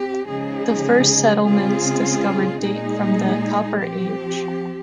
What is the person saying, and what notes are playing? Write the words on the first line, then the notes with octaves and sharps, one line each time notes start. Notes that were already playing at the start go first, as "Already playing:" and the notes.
The first settlements discovered date from the Copper Age.
Already playing: C4 G4
C#3 F3 G#3 D#4 G#4
C#3 G#3 C4 F4 G#4
A#2 G#3 D#4 G#4
F3 C4 G4